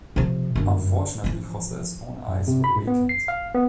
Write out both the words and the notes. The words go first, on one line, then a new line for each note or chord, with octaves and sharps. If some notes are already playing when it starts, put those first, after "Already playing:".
Unfortunately, Jose's own eyes were vacant.
C3 F3
G1 F#2
E3 F3
F#2
C3
B5
G#2
B3
C7
F5
B3